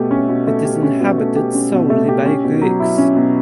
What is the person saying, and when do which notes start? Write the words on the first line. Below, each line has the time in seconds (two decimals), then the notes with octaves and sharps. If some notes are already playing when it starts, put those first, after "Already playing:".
It is inhabited solely by Greeks.
Already playing: B2 A3 G4
0.11 C#4
0.29 B2
0.47 A3
0.65 G4
0.83 C#4
1.00 B2
1.18 A3
1.36 G4
1.54 C#4
1.73 B2
1.90 A3
2.08 G4
2.26 C#4
2.44 B2
2.62 F#3
2.80 E4
2.98 C#4
3.16 B2